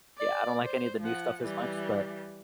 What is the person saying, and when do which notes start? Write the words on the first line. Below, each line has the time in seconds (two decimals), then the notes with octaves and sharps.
Yeah, I don't like any of the new stuff as much, but,
0.18 D5
0.64 C5
1.00 F3 F#5
1.42 E3 G3